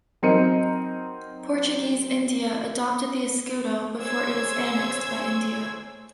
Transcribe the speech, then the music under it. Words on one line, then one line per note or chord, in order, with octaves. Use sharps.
Portuguese India adopted the escudo before it was annexed by India.
F#3 C4 D#4 A#4 C#7 D#7
G#4 C5 C#5 E6 G#6